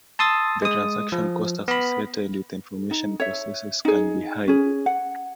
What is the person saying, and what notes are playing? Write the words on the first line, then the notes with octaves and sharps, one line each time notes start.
The transaction cost associated with information processes can be high.
A5 C6 D#6 E6 A6
G#3 D#6
F3
B3 B5
D#4
C#5 E5
D#4 G#4
C#4 G#4
F#5